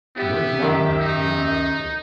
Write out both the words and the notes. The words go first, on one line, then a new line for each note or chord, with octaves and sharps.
Where's mom at? If you don't mind me asking.
B3 G4 E5
F#2 D#3
D#4